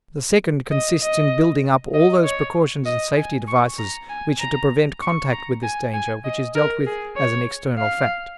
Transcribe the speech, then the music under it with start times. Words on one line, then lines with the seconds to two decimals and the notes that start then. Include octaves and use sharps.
The second consists in building up all those precautions and safety devices which are to prevent contact with this danger which is dealt with as an external fact.
0.71 D#5
1.02 D#5
1.94 D#5
2.24 C#5
2.86 D#5
3.17 G#5
3.48 C#6
3.79 A#5
4.10 G#5
4.40 A#5
5.02 C#6
5.32 A#5
5.63 G#5
5.94 G#5
6.25 D#5
6.56 A#4
6.87 G#4
7.17 C#5
7.78 F5